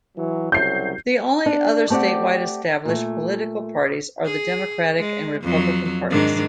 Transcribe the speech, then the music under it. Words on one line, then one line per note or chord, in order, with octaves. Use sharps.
The only other statewide established political parties are the Democratic and Republican parties.
E3 F#3
C2 C#3 F#3 G6 C7
D4
A3 C4 G4 D5 F#5
A#2 A3
G#4
G#3
F2 F#3
G#2 D#3 D4